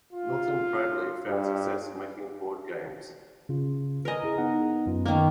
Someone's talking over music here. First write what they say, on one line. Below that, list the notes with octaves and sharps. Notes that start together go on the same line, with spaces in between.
Milton Bradley found success making board games.
F4
G2
C#3 F4
A#4 B4 D#5 G#5
E4 G#4
B3 D#4 F#5
F#2 B3 F4
D#3 A#3